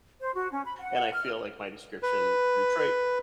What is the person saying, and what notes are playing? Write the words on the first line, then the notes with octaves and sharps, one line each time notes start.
and I feel like my description Detroit
C5
F#4
C#4
B5
F#5
F6
B4